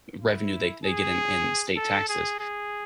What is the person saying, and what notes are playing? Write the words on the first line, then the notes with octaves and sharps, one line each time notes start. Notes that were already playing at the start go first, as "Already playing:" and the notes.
revenue they they get in in state taxes,
E4
G#4
A4
G#4
G#4